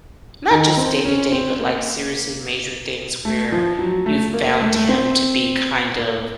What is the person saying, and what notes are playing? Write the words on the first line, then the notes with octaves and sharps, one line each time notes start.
not just day to day, but, like, seriously major things where you found him to be kind of
D#3
C4
C#4
C4
A#3
A3
F3
F#3
A3
A#3
A#3
A3
A3
C4
A#3